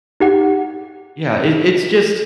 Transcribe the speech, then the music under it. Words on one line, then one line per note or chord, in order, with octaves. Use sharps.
Yeah, it it's just
D#4 G4 F#5